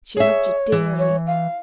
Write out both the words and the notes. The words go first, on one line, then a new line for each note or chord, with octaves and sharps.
She loved yo' dearly.
G#4 C#5 E5
E3
C#5
F5